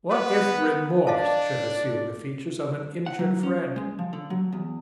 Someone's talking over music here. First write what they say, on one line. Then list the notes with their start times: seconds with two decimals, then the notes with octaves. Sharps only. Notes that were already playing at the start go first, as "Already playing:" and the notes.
What if Remorse should assume the features of an injured friend?
0.10 B3 B4
1.07 D4 D5 D#5 F5 A5
3.06 F#5
3.19 F#3
3.43 C#4
3.76 G#3
3.99 F3
4.13 D3
4.30 F#3
4.53 E2